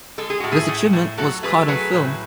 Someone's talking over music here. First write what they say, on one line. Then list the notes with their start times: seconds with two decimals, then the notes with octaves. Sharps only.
This achievement was caught on film.
0.18 G#3 A4
0.30 G#4
0.40 A2 F#4
0.51 E4 G#4
0.68 A2
0.93 A2
1.18 F#3 F#4 A4
1.43 A3 G#4 B4
1.68 F#3 G#4 B4
1.93 A2